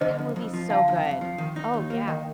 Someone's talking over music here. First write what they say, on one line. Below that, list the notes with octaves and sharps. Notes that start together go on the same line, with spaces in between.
That movie's so good, oh yeah.
D3 C5 D#5
F2
F2
F3
D3 F5 A5
F2
F2
F3
D#3
D#4
D#2
A#3
D#3 D#5 G5